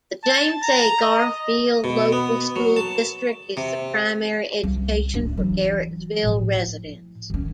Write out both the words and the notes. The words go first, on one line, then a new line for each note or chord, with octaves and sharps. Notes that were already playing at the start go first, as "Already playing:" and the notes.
The James A. Garfield Local School District is the primary education for Garrettsville residents.
A5
A#5
D#5
B2
B3
F#3
A5
C3
C2
D1 D4
E3 F#3
A2 F3
D#3 C#4